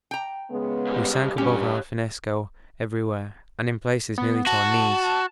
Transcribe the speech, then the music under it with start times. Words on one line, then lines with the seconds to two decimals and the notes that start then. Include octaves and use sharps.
We sank above our finnesko everywhere, and in places nearly to our knees.
0.11 G5 A#5
0.50 C#3 G#3 B3
0.87 G#2 G3
1.38 G2 C#4 G4 C#5
4.18 B3
4.47 F#4 A5